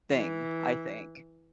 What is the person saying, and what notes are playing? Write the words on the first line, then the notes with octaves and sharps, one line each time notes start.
thing, I think.
E3